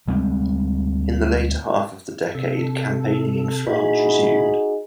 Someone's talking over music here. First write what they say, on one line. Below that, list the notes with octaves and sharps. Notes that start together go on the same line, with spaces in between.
In the later half of the decade campaigning in France resumed.
D2 G3 G#3 C4
C3 A4
A#2 D#4 E4 F#4 G#4 B5